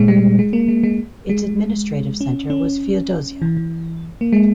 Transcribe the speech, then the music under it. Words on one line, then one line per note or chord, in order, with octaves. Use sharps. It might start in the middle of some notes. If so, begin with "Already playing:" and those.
Its administrative centre was Feodosiya.
Already playing: A#2 G#3
G3
G#3
A#3
G#3
G#3
G#3
C#4
C#4
E3
E3
A#3
G#3